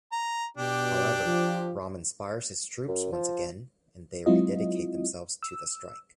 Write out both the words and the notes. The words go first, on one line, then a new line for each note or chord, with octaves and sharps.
However, Rom inspires his troops once again, and they rededicate themselves to the strike.
A#5
B2 D4 G4
F3
F#2
F3
F#3 G#3 C4 E4 F4 D#5
E6